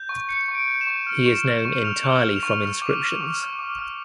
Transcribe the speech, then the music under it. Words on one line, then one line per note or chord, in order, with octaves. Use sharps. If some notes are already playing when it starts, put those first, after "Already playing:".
He is known entirely from inscriptions.
Already playing: G6
C#6
G6 C#7
C#6
D7
G6
E7
C#6
F6
C#6
E7
F6
E7
C#6
F6 F7
C#6
G7
F6
F7
C#6
F6
D6
F6
D6
F6
D6
F6